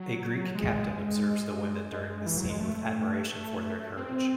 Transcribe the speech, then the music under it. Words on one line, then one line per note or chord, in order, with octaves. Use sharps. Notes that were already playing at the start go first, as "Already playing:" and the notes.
A Greek captain observes the women during this scene with admiration for their courage.
Already playing: F#3
G#3
G#3
E3
F#3
G#3
A3
A3
C4